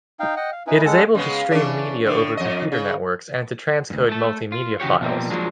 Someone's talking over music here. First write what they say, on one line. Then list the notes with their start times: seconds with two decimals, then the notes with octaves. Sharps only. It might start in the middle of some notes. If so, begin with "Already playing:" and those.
It is able to stream media over computer networks and to transcode multimedia files.
0.20 D#4 F5 G5
0.36 D#5 F#5 G5
0.52 F5
0.67 C#4 D#4 E4 B4
0.86 G#3 C#4 A4 F#5
1.15 C#3 G#3 B3
1.51 E3 C#4 D4
2.06 A2 D3
2.37 F2 D#5
2.72 C#3
3.90 D2 G2
4.09 A3 A4
4.52 F4
4.80 C#3 E3 F#4 G4 C#5
5.01 B2 F3 G3 A#3 C4
5.30 F3 F#3 G#3 A#3 D4